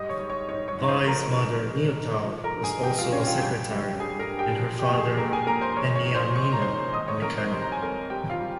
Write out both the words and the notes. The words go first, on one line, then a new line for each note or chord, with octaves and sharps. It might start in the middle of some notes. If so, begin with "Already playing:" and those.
Vai's mother Niutao was also a secretary, and her father Peniamina a mechanic.
Already playing: G#2 G3 D#5 D#6
C#5 C#6
G3
C#5 C#6
G#2 C#5 C#6
C#5 C#6
G#2 A#5
C5 C6
F3 A#4 A#5
G#2
G#3
G#2
F3
A#4 A#5
G2
G#4 G#5
G#3 G4 G5
F4 F5
G2 C#4 C#5
F4 F5
G3 G4 G5
G3
G2 G#4 G#5
A#4 A#5
G2
G4 G5
F3
G4
A#2
G#4
G#3 A#3 A#4
G#4 G#5
A#2 A#4 A#5
C5 C6
F3 C#5 C#6
C#5 C#6
G#2
C5 C6
G#3 C#6
C6
A#5
G#2 C5 C6
D#3 D#5 D#6
C#5 C#6
F2 A#4 A#5
C5 C6
G3 C6
A#5
G#5
F2 A#4 A#5
G3 G4 G5
F4 F5
G3